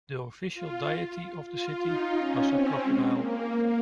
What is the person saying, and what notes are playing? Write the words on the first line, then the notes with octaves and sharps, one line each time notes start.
The official deity of the city was a crocodile.
F4
F4
D#4
C#4
C4
G#3
A#3